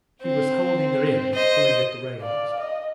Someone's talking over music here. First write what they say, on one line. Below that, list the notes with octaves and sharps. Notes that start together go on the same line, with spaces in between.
He was holding her in, pulling at the reins.
C4
C5 D#5
D5 F5
D#5